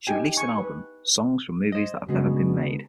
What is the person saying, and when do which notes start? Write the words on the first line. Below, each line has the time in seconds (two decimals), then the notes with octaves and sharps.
She released an album, "Songs From Movies That Have Never Been Made".
0.07 D#4 G4 G5 G#5
0.37 G#5 C#6
0.58 B4
1.72 C5 D#5
2.08 C#3 G#3 B3 D4 F#4